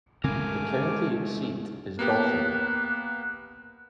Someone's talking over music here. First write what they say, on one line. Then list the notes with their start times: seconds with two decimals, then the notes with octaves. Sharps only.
The county seat is Dawson.
0.24 C#3 G#3 A3 C4 A#4 G#5 D6 F6
1.99 A#3 B3 G4 F#6